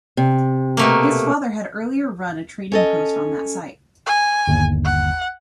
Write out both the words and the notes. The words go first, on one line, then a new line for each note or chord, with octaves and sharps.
His father had earlier run a trading post on that site.
C3
B2 A3 A#3
C#4 A4 D#5
G#5
G1 D#2
F#5